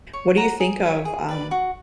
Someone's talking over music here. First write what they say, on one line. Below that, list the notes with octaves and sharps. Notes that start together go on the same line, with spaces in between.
What do you think of, um
C#5
F#5 A#5
G#4
C#5 E5
G#4
B4 D5
F#4